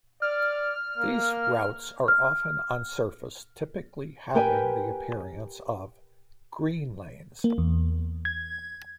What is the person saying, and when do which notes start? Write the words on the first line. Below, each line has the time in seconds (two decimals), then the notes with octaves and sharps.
These routes are often unsurfaced, typically having the appearance of 'green lanes'.
0.22 D5 F6
0.98 A#3
2.08 F6
4.35 G4 A#4 B4 G5 G#5
7.44 A#3
7.58 E2
8.25 G#6